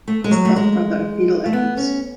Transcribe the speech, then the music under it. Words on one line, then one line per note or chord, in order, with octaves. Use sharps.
He is the half brother of Fidel Edwards.
A3
G#3
F#3
A3
G#3
A3
B3
C#4